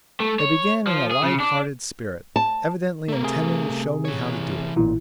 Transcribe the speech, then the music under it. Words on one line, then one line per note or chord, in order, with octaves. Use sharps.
They began in a light-hearted spirit, evidently intending to show me how to do it.
A3
C#5
F3
G#4
C#3
D4
A5
A3 A#4
C3 G#4
E3 C#5
A1 A#2 E3